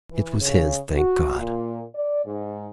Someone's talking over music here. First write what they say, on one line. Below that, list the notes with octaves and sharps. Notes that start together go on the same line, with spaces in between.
It was his, thank God!
E3
C#3
F#4
A#2
D5
G#2